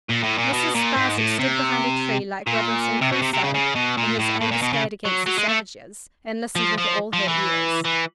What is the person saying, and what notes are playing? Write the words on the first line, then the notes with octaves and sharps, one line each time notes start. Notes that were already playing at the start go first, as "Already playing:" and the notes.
Mrs. Sparsit stood behind a tree, like Robinson Crusoe in his ambuscade against the savages, and listened with all her ears.
A#2
A2
A#2
B2
A#2
G#2
A2
C3
A#2
C3
B2
C3
C3
C#3
C#3
B2
A#2
A2
A2
A#2
B2
C#3
F#3
F#3
G#3
A3
F3
F3
F3
E3
E3